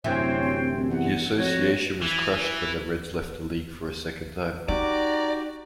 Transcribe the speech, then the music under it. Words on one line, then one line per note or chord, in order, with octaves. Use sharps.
The Association was crushed when the Reds left the league for a second time.
D1 F#2 C3 E3 C5 C#5 G5
E2 F#5
F2 F#4 C#5
E3
D#4 F#4 G4 D5 A#5